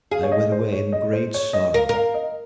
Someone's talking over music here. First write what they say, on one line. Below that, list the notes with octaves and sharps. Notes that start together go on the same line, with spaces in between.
I went away in great sorrow.
G#4 F5
C#5
D#5
C5
C#5
D#5
C5
C#5
D#5
A#4 F5
A#4
F5
D#5